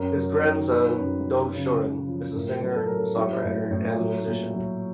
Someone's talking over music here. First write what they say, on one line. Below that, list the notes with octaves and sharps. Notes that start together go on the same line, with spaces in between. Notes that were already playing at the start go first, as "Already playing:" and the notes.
His grandson Dov Shurin is a singer-songwriter and musician.
Already playing: F#2 A#4
F#3
D#3
D#3 B4
F#2
F#3
C#3
C#3
F3
A2 A#4
F#3
A4
F#3 A#4
A4
F#3 E4
A2
A2
F#3
A#2
F#3